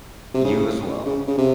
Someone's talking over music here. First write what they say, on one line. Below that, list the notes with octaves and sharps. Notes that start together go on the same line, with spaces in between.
You as well.
C3
C#3
C#3
C#3
C3